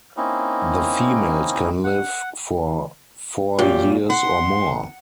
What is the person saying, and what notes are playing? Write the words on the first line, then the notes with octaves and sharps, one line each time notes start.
The females can live for four years or more.
A#3 C4 C#4 D#4 E4
F#5
F#2 A#2 G4
F#5 C6